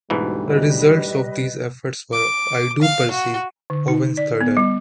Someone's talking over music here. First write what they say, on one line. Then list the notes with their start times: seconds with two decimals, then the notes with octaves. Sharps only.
The results of these efforts were "I Do Perceive", Owen's third album.
0.10 D2 G#2 B2 E3 G3
0.48 B4 D#5
2.13 D6
2.82 F5
3.11 F#4
3.70 D3
3.88 D#4
4.17 D5
4.41 B3
4.57 G3